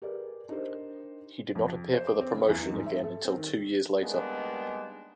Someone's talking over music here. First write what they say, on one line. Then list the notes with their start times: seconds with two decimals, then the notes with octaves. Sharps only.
He did not appear for the promotion again until two years later.
0.02 G4 G#4 A#4 B4 D5
0.49 D4 D#4 G4 A#4 C5
1.55 F2
1.93 C5
2.07 D6
2.21 C4
2.35 C#3
2.49 E2
2.61 D#4
2.74 G#2
2.86 E5
3.04 A4
3.25 C4
3.36 D#3
4.01 G3 G#3 A#3 B3 D4 D#4